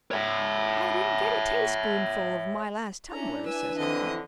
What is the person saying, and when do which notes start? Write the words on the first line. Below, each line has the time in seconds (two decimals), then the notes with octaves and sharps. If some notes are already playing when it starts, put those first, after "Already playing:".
"I didn't get a tayspoonful of my last tumbler," says another.
0.11 C#5 E5
3.11 C#4 D4 E4 A#5
3.46 B4 G#5 E6
3.78 F2 D3 E3 D#5 D#6